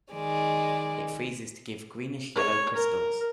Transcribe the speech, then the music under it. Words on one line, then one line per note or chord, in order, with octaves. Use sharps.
It freezes to give greenish-yellow crystals.
D#3 G#3 D5
C#5
A#4